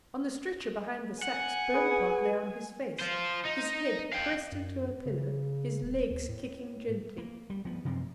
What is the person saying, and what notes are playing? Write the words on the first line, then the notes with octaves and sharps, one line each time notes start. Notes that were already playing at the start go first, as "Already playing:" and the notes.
On the stretcher behind the sacks Bonaparte lay on his face, his head pressed into a pillow, his legs kicking gently.
F#5 G#5
G#4 B4
F4 C5
D#4
F5 G5
F#2
C#3
D#1
D#2
A2
A#3
G3
F3 B3
F#2 C3 F3 C4